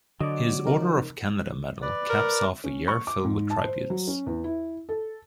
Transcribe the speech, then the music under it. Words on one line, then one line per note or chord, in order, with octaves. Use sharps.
His Order of Canada medal caps off a year filled with tributes.
D3 F#3 D5 D#5
D#4 A#4
B4 D5
A#4
C#4
C#6
D6
G#2
A5
C5
F#3
C#4
E2
E4
A4